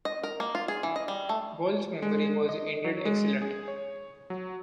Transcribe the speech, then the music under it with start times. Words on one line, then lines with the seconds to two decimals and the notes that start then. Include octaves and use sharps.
Boyle's memory was indeed excellent.
0.05 D#5
0.23 A#4
0.40 A#3
0.55 F4
0.68 G#4
0.83 E3
0.96 D#5
1.08 G3
1.29 A3
2.02 G#3
2.49 D#5
2.84 F#3
3.05 G#3
3.42 G#4
3.68 C#5
4.30 F#3